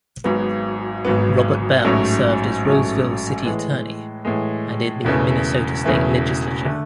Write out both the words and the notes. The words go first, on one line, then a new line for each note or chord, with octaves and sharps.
Robert Bell served as Roseville City Attorney and in the Minnesota State Legislature.
G#1 G#2 F#3 B3
G#1 G#2 F#3 B3
A1 G#2 F#3 A3 C#4
A1 G#2 F#3 A3 C#4
A2 E3 G#3
A2 E3 G#3
E1 E2 C#3 E3 A3
E1 E2 C#3 E3 A3
D3 A3